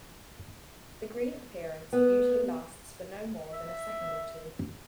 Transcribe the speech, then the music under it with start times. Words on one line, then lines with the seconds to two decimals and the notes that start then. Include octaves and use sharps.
The green appearance usually lasts for no more than a second or two.
1.93 B3
3.53 E5